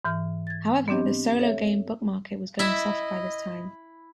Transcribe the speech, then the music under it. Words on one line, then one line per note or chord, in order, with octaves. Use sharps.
However, the solo game book market was going soft by this time.
G#2 E3 F6
G#6 A6
B3 C4 D4 G4 D#5
A4 C#5 E5
E4 D#5 E5